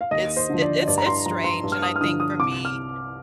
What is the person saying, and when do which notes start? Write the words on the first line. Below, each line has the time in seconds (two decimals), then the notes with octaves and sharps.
It's it it's it's strange, and I think, for me,
0.01 F5
0.11 D#2 D#5
0.37 C5
0.49 D3 F3
0.62 D5
0.87 G2 D5
0.98 A#5
1.06 C6
1.26 F3 A#5
1.44 C6
1.64 G2
1.72 F6
1.82 D#6
1.96 F6
2.01 D3 F3 D#6
2.20 D#6
2.39 C2 D6
2.65 F6